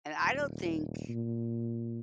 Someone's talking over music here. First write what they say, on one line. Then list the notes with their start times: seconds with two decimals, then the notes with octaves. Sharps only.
and I don't think
0.20 D#1
1.09 A#2